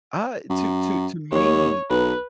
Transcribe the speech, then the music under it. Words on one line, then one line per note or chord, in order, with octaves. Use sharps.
Uh, i to to to me
F#2
D#2 C#5
B1 B4